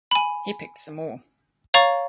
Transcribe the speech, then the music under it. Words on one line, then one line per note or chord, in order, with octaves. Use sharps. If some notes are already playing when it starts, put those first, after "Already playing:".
He picked some more.
G#5 B5
C#5 F5 A#5 C#6 A6